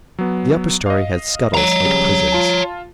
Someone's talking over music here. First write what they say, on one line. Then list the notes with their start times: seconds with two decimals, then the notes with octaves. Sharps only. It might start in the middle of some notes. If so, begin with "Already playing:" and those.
The upper story had scuttles like prisons.
0.19 F#3 B3
0.86 D#5 F5
1.55 C#5 A#5
1.85 C#3 G3
2.32 F4 A5